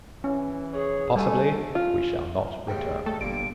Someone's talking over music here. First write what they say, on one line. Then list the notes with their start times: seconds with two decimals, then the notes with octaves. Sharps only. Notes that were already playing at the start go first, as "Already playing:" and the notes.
Possibly we shall not return.
0.24 E3 C#4
0.73 G#4 C#5
1.16 G3 A3 A4 G#5
1.75 F4
2.68 D#2 G#2 C#3 G5
3.06 A3 A4
3.21 G1 A#2 G3 D7